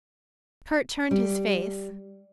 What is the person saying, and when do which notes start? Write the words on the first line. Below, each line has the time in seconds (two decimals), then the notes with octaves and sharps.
Kurt turned his face.
1.11 G3